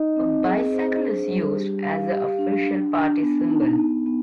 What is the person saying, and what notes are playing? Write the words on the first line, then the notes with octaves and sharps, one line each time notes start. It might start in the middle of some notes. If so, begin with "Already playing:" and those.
A bicycle is used as the official party symbol.
Already playing: D#4 D#5
C4
G#4
C5
D4
G3
G4
F5
G4
D4
D4
D4
B3
D#4
B3
B3